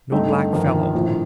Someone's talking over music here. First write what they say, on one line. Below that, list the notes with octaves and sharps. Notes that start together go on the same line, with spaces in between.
No black fellow.
G2 D3 A3 C4 D#4
G1 F2 D#3
A#1 A2 F3